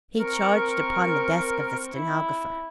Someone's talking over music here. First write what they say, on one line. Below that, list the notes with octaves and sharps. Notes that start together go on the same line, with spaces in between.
He charged upon the desk of the stenographer.
C4 A#4 C#6
E4